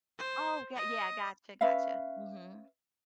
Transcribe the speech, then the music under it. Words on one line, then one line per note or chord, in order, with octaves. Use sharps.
Oh, 'kay, yeah, I gotcha, gotcha. Mhm.
C5
D#5
C#4 B4 E5 F5